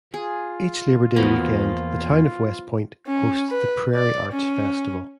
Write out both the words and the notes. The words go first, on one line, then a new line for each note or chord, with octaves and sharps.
Each Labor Day weekend the town of West Point hosts the Prairie Arts Festival.
F4 G#4
E2 F3 A#3 B3 F#4
C#4
B4
D5
C#4